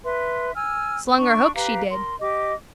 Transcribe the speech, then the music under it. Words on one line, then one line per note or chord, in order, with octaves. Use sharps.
Slung her hook, she did.
B4 E5 C6
G#5 E6 F6
D4 C#6
G4 B4 F5 A#5
A#4 C6
G4 D#5 D6